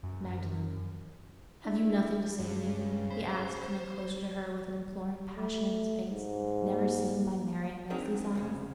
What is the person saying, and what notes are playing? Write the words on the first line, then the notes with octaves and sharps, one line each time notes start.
"Magdalen, have you nothing to say to me?" he asked, coming closer to her with an imploring passion in his face never seen by Marian Lesley's eyes.
F#2
D4 E4
G2 C#3 G#3
C5 B5
A3
G#2
A#3
C4 D4 D#4 G#4 A#4
C2 F2 C#3